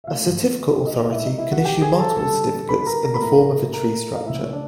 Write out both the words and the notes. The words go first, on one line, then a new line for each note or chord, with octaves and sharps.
A certificate authority can issue multiple certificates in the form of a tree structure.
E5
D3 F3 A3 F4 F5
D#4 D#5
F5
B2 G#3 E4 E5
D#4 D#5
E4 E5
F#4 F#5
G4 G5
G#4 G#5
A#5
A4 A5
D3 G3 A4 A5
B4 B5
A#4 A#5
A#4 A#5
B5
A2 F3 A3 A#4 A#5
A#4 A#5
F5
C#3 F3 A3 E4 E5
C#5
D4 D5